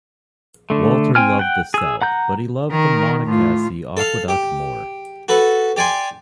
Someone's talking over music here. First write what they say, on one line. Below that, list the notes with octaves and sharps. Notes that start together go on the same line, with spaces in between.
Walter loved the South, but he loved the Monocacy Aqueduct more.
D3 A3
C4 G5 G#5 F6
F#5 G5
G#4 E6
F#5 A#5 G6
D#3 A#4
A2 F4
A4 F5
G4
F#4 A4 B4
G4 D5 G#5 C6